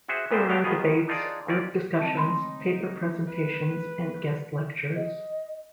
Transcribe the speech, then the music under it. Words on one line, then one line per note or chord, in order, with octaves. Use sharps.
There are debates, group discussions, paper presentations and guest lectures.
F#4 G#4 C5 E5 F#5
A#2 B3 C4 C5
F#3 B3 F5 G5 A5 A#5
B2 D#3 B3 F4 G#4
D4 D#4 F4 G#4 D5
D#2 C4 C#4 D5
D#3 C4 A4
C#3 G#3 A3 D#4 B5 C6
B4
D#5